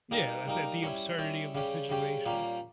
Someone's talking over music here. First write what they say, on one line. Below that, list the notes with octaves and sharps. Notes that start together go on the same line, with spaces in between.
Yeah, tha that the absurdity of the situation.
G3 A#3 D#4 A#4
G3 A#3 D#4 A#4
G3 C#4 E4
G3 C#4 E4
C#3 G3 C#4 G4
C#3 G3 C#4 G4
A#2 G3 A#3 C#4 G4